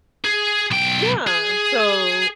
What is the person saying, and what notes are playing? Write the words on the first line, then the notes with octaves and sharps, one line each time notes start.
Yeah. So
G#4
B1 G5
G#4